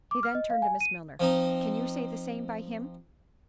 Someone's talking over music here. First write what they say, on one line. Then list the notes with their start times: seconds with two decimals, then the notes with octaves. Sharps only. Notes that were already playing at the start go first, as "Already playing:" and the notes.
He then turned to Miss Milner--"Can you say the same by him?"
0.11 D6
0.23 F6
0.35 D#5
0.50 F5
0.62 G#5
0.81 D#7
1.20 F3 C4 D#4